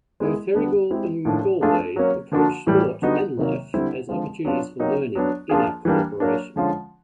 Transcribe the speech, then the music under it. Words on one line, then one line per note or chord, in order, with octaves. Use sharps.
Both Herrigel and Gallwey approach sport and life as opportunities for learning inner cooperation.
G#3 B3 E4 G#4
D3 G3 B3 D4
G#3 C4 E4 G4
A2 F3 A#3 D4
F3 A3 D4 F4 G#4
F#3 A#3 C#4
D3 F3 A#3 D4 F#4
A2 E3 G3
D3 G3 B3 D#4 F#4
C3 D#3 F#3 A#3
D3 G3 C4 E4
D3 F3 G#3 C4 F4
F#3 B3 D4 F4
F#3 A#3 D#4 G4
F#3 B3 D4
F3 A#3 D4 F4 G#4
E3 G3 A#3 D4
F#3 A#3 D4
D3 F3 G#3 C#4 F4